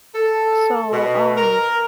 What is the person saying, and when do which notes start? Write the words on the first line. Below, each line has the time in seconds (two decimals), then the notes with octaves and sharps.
so, um,
0.15 A4
0.93 B2
1.38 A#4